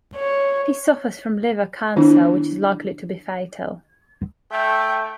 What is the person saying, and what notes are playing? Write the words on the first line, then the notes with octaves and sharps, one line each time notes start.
He suffers from liver cancer which is likely to be fatal.
C#5
D#3 B3 D4 E4
A3 E5 G5